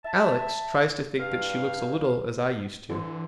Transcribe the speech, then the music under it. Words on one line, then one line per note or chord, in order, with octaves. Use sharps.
Alex tries to think that she looks a little as I used to.
E5 A5
G2 F5
D3 E3 C5